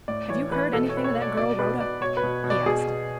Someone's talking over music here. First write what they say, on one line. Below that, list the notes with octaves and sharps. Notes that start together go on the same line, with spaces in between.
"Have you heard anything of that girl Rhoda?" he asked.
A2 D5
E3 C#5
E3 B4
B2 A4
C#5
B2 B4
C#5
B2
D5
B2 D5
B2 B4
B2 D5
B2 C#5
B4
B2
B2
D5
B2 G#4
B2